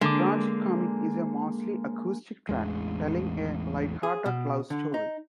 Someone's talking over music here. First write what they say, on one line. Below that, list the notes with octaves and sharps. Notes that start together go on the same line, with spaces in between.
"Tragic Comic" is a mostly acoustic track telling a light-hearted love story.
D3 G#3 A#3 D6
A1 E2 G#3
G#4
B2
D3
D#4